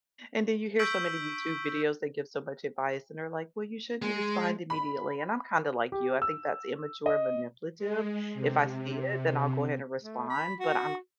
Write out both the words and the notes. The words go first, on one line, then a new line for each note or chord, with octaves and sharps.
And then you hear so many YouTube videos, they give so much advice and they're like, "Well you shouldn't respond immediately." And I'm kinda like you, I think that's immature and manipulative. If I see it, then I'll go ahead and respond, but I'm
C#6 E6 G6 B6 D7 F#7
G#3
B5
G4
E6
D#5
G#3
C3
A3
B5
F#4